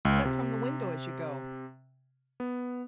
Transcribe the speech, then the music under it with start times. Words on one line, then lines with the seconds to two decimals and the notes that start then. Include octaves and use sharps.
Look from the window as you go.
0.05 C#2
0.25 C3
2.40 B3